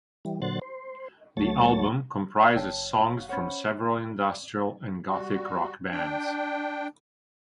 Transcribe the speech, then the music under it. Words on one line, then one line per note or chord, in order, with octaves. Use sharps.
The album comprises songs from several industrial and gothic rock bands.
E3 G3
A#2 D3 F#3 C5 F#6 A6
C5
D2 F#3 A3 C#5 A6
D5 E6
F#1 C#5 G5 A5
F4
F#4 F5
C#4 C5 C#5 F#5 B5
G3 F#4
D4 G5